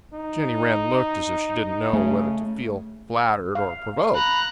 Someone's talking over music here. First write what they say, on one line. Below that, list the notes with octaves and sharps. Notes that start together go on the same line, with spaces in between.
Jenny Wren looked as if she didn't know whether to feel flattered or provoked.
D#4
C#3 A3
F5
A#5 B5 F#6